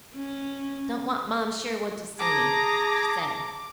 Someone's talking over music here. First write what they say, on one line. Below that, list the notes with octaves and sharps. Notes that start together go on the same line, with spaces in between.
"Don't want Marm Sherwood to see me," she said.
C#4
G#4 A5 A#5 D6